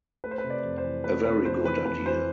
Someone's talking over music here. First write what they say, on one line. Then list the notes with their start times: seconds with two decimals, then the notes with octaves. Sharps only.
A very good idea!
0.24 A3 B4
0.31 C5
0.38 B4
0.44 C3
0.50 D5
0.64 F2
0.78 C5
0.84 E3
1.04 A3 B4
1.25 C3 B4
1.45 F2 C5
1.65 E3 B4
1.85 F2 B4
2.06 E3 C5